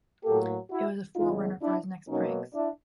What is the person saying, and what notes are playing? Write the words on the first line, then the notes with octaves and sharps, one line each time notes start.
It was a forerunner for his next pranks.
A2 F#3 A#3 G4 A4
E4 F#4
E2 C#3 E3 G#3 D#4 F4
D4 E4
B2 F#3 A#3 C#4 D#4
D4 E4